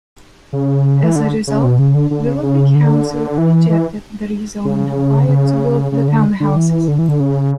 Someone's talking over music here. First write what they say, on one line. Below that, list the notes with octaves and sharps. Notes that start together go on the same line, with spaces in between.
As a result, Willoughby Council rejected the rezoning required to build the townhouses.
C#3
E3
D3
C#3
B2
C#3
D3
D3
C#3
C#3
D3
E3
E3
C#3
C#3
C#3
D3
D3
E3
D3
E3
D3
C#3